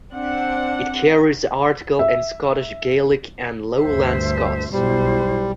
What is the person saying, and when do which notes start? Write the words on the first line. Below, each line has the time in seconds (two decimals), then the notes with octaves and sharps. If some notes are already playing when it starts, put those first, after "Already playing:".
It carries articles in Scottish Gaelic and Lowland Scots.
0.12 C4 D4 F#5
1.99 E5
3.80 D2 G2 C5 E5
4.73 B1 G3 E4 C5